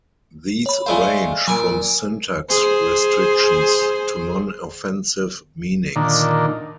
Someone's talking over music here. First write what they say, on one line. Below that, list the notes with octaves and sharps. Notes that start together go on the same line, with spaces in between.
These range from syntax restrictions to non-offensive meanings.
C#5 B5
G#3 A3 C5 D5 F5
A#2 F#3 G#5 D7
G#4 C5
A#2 D3 D#3